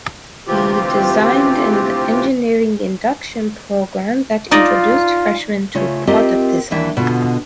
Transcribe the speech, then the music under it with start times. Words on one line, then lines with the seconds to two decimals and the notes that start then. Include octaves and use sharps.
He design an engineering induction program that introduced freshmen to product design.
0.47 D2 C3 E3 C4 F4 G4
4.51 D#4 F4 D5 D#5
5.75 C#3 A3 F4 C#5
6.07 C4 F4 G4 A#4 D#5 E5
6.71 D#2 E3 D4 E5
6.97 B2 D3 F4